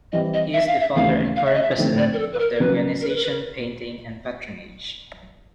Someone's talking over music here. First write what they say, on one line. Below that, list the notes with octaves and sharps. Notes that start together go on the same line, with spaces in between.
He is the founder and current president of the organisation Painting and Patronage.
E3 G3 C4 D#5
D#5
E5
F5
E5
D#2 C#3 E3 A3 F5
F5
E5
D#5
E5
D3 F3 A3 C4
D5
A#4
A4
B4
A#4
A#4
C#3 F#3 A#3 B4
A#4
B4
A#4
B4
A#4